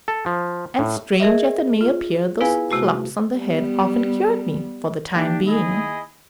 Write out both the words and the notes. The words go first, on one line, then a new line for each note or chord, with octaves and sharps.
And, strange as it may appear, those clumps on the head often cured me--for the time being.
A4
F3
A2
G#4 A#4 D#5 E5
F4
B3 E4 G#4 B4 F5 G#5
C3 A3 F#4
G3 B3
D#3 A#3 D4 G4
E4 G#4 D#5